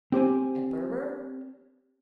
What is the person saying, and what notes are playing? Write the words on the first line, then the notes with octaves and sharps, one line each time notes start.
At Berber?
C4 G4 C5 G#5